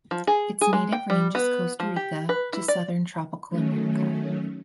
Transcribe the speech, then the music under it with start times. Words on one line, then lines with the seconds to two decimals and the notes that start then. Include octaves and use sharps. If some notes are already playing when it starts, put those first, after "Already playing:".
Its native range is Costa Rica to Southern Tropical America.
0.11 F3
0.27 G#4
0.61 G#4
0.73 G#3
0.92 G5
1.10 G3
1.35 B3
1.80 F3
1.96 G4
2.29 B4
2.53 E4
2.68 D5
3.49 D#3 F#3 A3 C#4